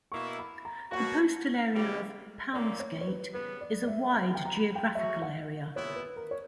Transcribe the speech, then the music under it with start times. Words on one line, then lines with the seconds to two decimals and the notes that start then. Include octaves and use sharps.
The postal area of "Poundsgate" is a wide geographical area.
0.12 B2 A#3 E4 C#6
0.39 B5
0.65 A#5
0.92 B2 A#3 C#4 F#4 F#5
1.73 C#3 E3 G3
2.53 A#2 A#3 C#4 E4 D5
2.80 C#5
3.01 C#5
3.07 B4
3.33 C#3 G3 B3 B4
3.61 D5
3.83 D5
3.88 E5
4.14 C#3 E3 A#3 F#5
4.35 G5
4.45 A#5
4.55 B5
4.75 G5
4.95 F#3 C#4 F#4 E5
5.22 F#5
5.75 A#2 G3 B3 E4 C#5
5.96 B4
6.16 A#4
6.31 C#5